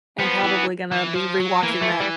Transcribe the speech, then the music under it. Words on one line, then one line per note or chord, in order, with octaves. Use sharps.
am probably gonna be rewatching that
F3 B3
E3
E3
F3
F#3
E3 A#3
A3
G3